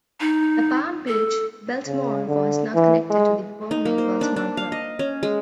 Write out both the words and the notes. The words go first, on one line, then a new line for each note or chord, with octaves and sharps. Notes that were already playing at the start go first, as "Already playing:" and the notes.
The Palm Beach Biltmore was not connected to the Bowman Biltmore group.
D#4
A4
C#3
D3
E3
G#3
D#4
A#3
C5
D4
D4
F5
D#5
C#4
G#3